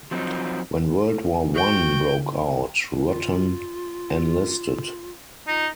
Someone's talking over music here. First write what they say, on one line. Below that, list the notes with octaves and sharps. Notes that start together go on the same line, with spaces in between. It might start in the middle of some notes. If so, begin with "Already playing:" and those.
When World War One broke out, Ruttan enlisted.
F3 F#3 C4 D4 D#4
F#4 G5
F4
D#4 F4